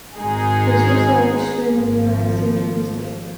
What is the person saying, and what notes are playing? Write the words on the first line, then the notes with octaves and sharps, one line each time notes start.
This is the only stream in the United States with this name.
G#1 G#2 G#3 D#4 G#4
G#1 G#2 F3